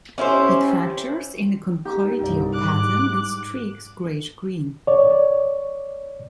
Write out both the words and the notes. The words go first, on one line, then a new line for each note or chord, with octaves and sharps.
It fractures in a conchoidal pattern and streaks grayish-green.
C#4 E4 G4 C5
D#4 G4 G5
C2 G2 D#4 E4 D5
G#2 G3 D6 F#6
C#5 D5